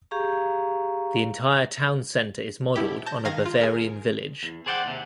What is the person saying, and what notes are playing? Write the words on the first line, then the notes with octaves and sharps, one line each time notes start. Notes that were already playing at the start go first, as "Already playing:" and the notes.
The entire town center is modeled on a Bavarian village.
G4 G#4 F5 A#5 C#6
B2 E4 G4
A5 G6 A#6
D#3 F5 G#6 A#6
F4
G#4 A#4
E2
G#4 C5 D5 F#5 G5
D#2 C3